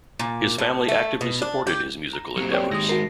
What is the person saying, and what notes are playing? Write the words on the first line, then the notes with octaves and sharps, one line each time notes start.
His family actively supported his musical endeavors.
A#2
A2
A3
B2
D4
G4
A#5
F#3 A#3 C4 G4
C#5 D5 G5
D#3 G#3 D#6 A#6
D#4 F#4 A#4 A#6 C7